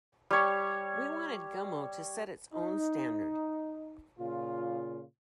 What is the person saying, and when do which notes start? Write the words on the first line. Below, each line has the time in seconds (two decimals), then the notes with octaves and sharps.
We wanted "Gummo" to set its own standard.
0.31 G3 C#5
2.53 D#4
4.19 A#2 C#3 F4